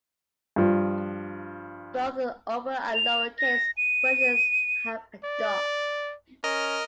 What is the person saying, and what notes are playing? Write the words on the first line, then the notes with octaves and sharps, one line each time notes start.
Both the upper and lower case versions have a dot.
G2 F3
F7
A#6
D#7
D5
C#4 A#4 D#5 F6